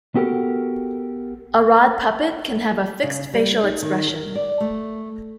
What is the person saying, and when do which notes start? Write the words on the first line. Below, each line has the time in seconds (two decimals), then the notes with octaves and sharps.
A rod puppet can have a fixed facial expression.
0.15 B3 F#4 G4 A4 A#4
3.03 C#3
3.33 G3
3.63 D#4
3.82 D#3
4.08 A#4
4.35 D5
4.61 A3